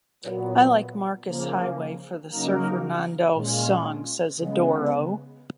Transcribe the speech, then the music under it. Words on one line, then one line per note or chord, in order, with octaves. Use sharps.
I like Markus Highway for the Surfernando song, says Adoro.
A#2 F#3 B3
C#3 F3 A#3
C#3 F#3 A#3 D#4 A#4
A#2 G#3 C#4 F4
C#3 G#3 B3